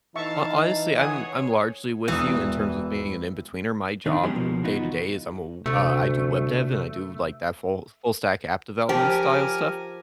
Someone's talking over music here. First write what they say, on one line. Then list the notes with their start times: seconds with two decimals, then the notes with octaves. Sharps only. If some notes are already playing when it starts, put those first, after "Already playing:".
Ho honestly, I'm I'm largely with you in terms of being an inbetweener. My job, day-to-day, is I'm a w uh, I do web dev, and I do, like, that full full stack app development style stuff.
0.16 E3 D#4 E5 F5 A5 C#6
0.97 G#4 C#5 F#5 G#5 D#6
2.08 E1 E3 D#6
4.06 D#3 D4 D#4
4.23 F#3 G#3 B3 C#4 D4 G4
4.35 C#2 B2 F3 A#3
4.64 E3 B3 D#4 F4 F#4
5.66 D2 C3 A3
8.89 F3 G4 A#4 G#5 F6